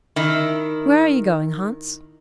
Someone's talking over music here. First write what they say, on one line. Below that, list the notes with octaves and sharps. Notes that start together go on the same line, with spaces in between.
'Where are you going, Hans?'
D#3 E4